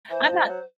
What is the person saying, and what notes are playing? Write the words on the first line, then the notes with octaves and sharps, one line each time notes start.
I'm not s
E3 C5
F3
F#3